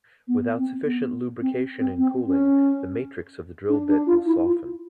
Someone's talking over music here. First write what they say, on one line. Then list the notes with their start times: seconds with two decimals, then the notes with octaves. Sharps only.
Without sufficient lubrication and cooling, the matrix of the drill bit will soften.
0.27 B3
0.56 C4
0.84 B3
1.41 C4
1.79 C4
1.98 C4
2.27 C#4
3.69 D4
3.88 D4
4.06 F4
4.26 E4
4.45 F4